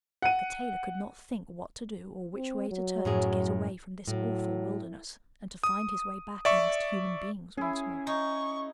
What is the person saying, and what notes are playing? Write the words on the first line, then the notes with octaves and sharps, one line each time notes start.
The tailor could not think what to do or which way to turn to get away from this awful wilderness, and to find his way back amongst human beings once more.
F#5 D#7
C4
F#3
F#2 A2 G#4
A2 F#3
D#6
D5 E5 C#6
C#4 E4 G#4
D#4 C#6